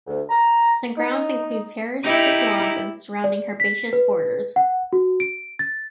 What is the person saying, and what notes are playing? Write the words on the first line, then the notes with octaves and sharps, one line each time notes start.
The grounds include terraced with lawns and surrounding herbaceous borders.
D2
A#5
D#4
D#4 E4 G4
D5
B6
B4
F#5
F#4
D7
A6